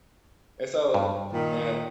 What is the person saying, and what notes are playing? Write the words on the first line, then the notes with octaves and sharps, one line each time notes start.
and so and,
G2
A#2 D#3